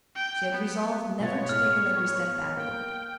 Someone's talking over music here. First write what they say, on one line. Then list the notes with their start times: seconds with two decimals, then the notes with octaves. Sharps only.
She had resolved never to take another step backward.
0.15 G5
0.52 B3
1.19 B2 G#3 B3 F4 C#5 A6
1.49 A2 F6
2.57 A#3 G5